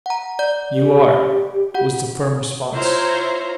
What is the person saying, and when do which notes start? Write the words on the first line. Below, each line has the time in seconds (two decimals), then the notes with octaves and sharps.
"You are," was the firm response.
0.06 F#5 A#5
0.39 D5 G6
0.74 G4
1.74 F#4 F#5
2.75 E4 F4 C5 C#5 A#5